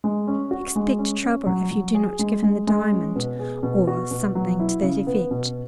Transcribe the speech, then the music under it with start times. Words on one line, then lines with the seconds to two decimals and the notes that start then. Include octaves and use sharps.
Expect trouble if you do not give him the diamond,' or something to that effect.
0.04 G#3
0.27 C#4
0.51 F#4
0.76 G#3
0.99 C#4
1.23 C#4
1.47 F#3
1.71 F#3
1.95 G#4
2.19 G#3
2.43 G#3
2.67 G#3
2.91 C#4
3.16 B2
3.39 G#4
3.63 B2
3.87 F#4
4.11 B2
4.35 F#3
4.59 E4
4.82 C#3
5.07 B3
5.31 B2